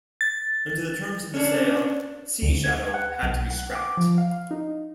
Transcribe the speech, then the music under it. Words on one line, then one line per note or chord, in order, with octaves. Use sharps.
Under the terms of the sale "Sea Shadow" had to be scrapped.
A6
C#4 D4
D2
G#6
F#5
B1
F#5
D6
F3
F5
D#4